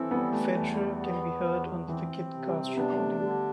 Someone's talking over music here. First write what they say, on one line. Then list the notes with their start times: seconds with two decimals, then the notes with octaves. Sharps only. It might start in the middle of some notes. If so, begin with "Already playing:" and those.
Federer can be heard on the "Wicked" cast recording.
Already playing: E3 C4 E4 A4
0.11 G3 B3
0.33 A3
0.55 E2 A3
1.00 B3
1.44 E2
1.88 E3 C4
2.33 C3
2.46 G3
2.76 B3 D4
2.98 A3
3.20 D3 G3